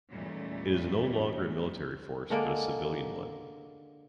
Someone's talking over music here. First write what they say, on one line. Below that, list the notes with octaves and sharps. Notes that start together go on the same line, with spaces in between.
It is no longer a military force, but a civilian one.
E2 A#2 G3 A3 C#4 D#4
D3 G#3 A#3 D5